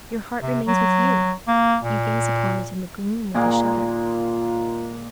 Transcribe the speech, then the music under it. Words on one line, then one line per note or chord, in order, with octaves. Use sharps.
Your heart remains with you, you gaze upon it in the gloom with a shudder.
C3
F#3
A#3
A#2
A#2 D#3 G#3 A#3 F4